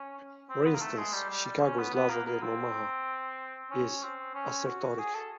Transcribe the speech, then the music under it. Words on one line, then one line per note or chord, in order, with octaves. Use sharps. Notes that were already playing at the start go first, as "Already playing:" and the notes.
For instance, "Chicago is larger than Omaha" is assertoric.
Already playing: C#4
C4
B3
A#3
A3
G#3
G3
G3
G3
C#4
B3
B3
A#3
A#3
C4
C#4
C4
C#4
F#4
G#4
A4